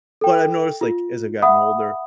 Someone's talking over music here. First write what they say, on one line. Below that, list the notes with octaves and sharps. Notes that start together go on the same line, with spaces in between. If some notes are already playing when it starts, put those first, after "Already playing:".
But I've noticed, like, as I've gotten older
A4 G5
F4
E5 F#5 B5 D#6